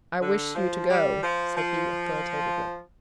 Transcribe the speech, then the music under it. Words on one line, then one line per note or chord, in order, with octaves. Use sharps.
I wish you to go,' said he, authoritatively.
D3
F3
G3
F3
F3